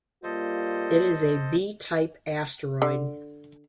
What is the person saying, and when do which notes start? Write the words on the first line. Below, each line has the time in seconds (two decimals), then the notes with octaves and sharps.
It is a B-type asteroid.
0.23 G3 A#3 F4 A4 C5 D#5
2.82 D3